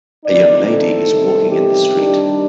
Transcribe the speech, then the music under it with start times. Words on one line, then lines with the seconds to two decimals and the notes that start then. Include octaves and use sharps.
A young lady is walking in the street.
0.24 D3 A3 C4 D#4 D5
0.66 A4
1.09 C3 D#3 G3
1.52 G4
1.94 D#3 G3 D4